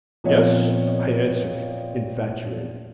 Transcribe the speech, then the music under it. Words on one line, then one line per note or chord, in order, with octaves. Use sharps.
"Yes," I answered, infatuated.
A#2 F3 B3 C4 C#5 D#5